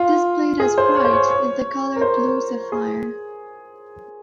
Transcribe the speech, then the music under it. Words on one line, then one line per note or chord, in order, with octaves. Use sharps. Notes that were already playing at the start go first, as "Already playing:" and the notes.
Displayed as right is the color blue sapphire.
Already playing: F4
G#4
C5
C#5
C5
C#5
C#5
A#4
C5
G#4